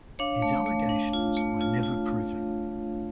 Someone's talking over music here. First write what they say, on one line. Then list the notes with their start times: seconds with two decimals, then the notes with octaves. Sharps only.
His allegations were never proven.
0.19 D4 C#5 F5
0.42 A3
0.66 A3
0.89 D4
1.13 F4
1.37 A3
1.61 F4
1.83 F4